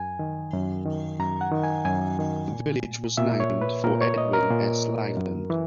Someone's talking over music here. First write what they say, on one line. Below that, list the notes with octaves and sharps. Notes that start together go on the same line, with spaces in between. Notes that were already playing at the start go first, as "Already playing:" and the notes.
The village was named for Edwin S. Leland.
Already playing: F#2 G#5
D#3
F#2
D#3
F#2 A#5
F#5
D#3
G#5
F#2 G#5
D#3
A#2
A#2 E5
C#5
B4
A#2 A#4
C#5
D#5
A#4
A#2
F#2
E3